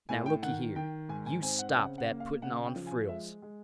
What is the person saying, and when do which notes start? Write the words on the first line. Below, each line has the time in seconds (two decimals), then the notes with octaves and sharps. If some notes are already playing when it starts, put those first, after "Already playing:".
Now looky here; you stop that putting on frills.
0.09 A2 G#5
0.26 G5
0.43 D#3 F#5
0.76 D#3 G5
1.09 G#2 G#5
1.26 G#5
1.42 C4 G#5
1.59 F#5
1.75 C#3 F#5
1.98 F#5
2.10 A#3
2.20 F5
2.42 C#3 F#5
2.64 G5
2.76 F3
2.87 G#5
3.08 G#3 E5
3.42 G#3